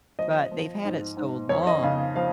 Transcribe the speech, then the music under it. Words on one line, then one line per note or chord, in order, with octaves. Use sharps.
but they've had it so long.
F3 D#5
F3
G#2
G#2
F2 C#5
D#5
C#3 F5
F3 F5